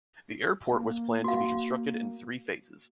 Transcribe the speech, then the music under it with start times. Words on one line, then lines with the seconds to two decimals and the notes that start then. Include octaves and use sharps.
The airport was planned to be constructed in three phases.
0.72 A#3
1.24 F#4 F5